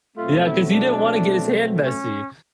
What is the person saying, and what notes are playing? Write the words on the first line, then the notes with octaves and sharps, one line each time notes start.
Yeah, 'cause he didn't wanna get his hand messy.
B2 F#3 A3 C4 F4
E4
D4
C#4